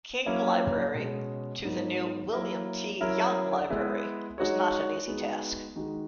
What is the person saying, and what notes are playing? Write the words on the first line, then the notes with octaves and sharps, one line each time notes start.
King Library to the new "William T. Young Library" was not an easy task.
F#3 A#3 C#4 E4
B2 G#3 C#4
G#2 F#3 B3 D#4 A#4
F#3 A#3 E4 A#4
F#3 C#4 E4 A#4
G#3 B3 E4 B4
G#3 D#4 F#4 C#5
G#3 B3 D#4 F#4 B4
D#3 G#3 D#4 F#4